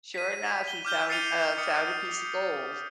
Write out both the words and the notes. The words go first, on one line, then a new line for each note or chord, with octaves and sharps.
sure enough, he found, uh, found a piece of gold.
B6 D#7
G7
D6 F6 G6 G7
A6 C7 C#7 D#7 F7 G7
D#6 C#7